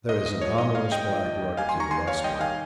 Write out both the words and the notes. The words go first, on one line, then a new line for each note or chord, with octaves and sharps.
There is an ominous black look to the westward.
G#2 D#5
G#3 D#5
F3 C#5
G#2 D#5
G#2 C#5 F5
G#3 D#5 G5
F3
D#2
D#2
G3 F5 G#5
G#5 C6
D#3
A#5 C#6
D#2 G#5 C6
D#2 C#5 F5
G3 D#5 G5
D#3 F5 G#5